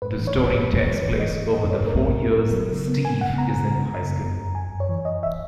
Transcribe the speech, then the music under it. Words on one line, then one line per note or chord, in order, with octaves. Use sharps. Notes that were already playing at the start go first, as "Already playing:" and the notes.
The story takes place over the four years Steve is in high school.
G#2 B4
E3
C#5
G#2
G#2 B4
E3
C#5
G#2
E3 B4
E3 D#5
G#2
G#2 D#5
G#2 C#5
G#2 A#4
B3
B3
F#3
F#3
C#3
B3
B3 G#5
C#3 F#5
B3 A#5
C#3
B3
C#3
F#2
F#2
F#2
F#2 G#5
F#2
C#5
E3
F#2 D#5
E5